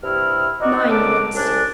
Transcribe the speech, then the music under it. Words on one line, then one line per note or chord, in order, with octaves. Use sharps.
Nine minutes.
G2 C3 E4 F6
D#4 F#4 D5
C#3 A4 A#4 D5 F#5 D6
C2 A2 C#4 D4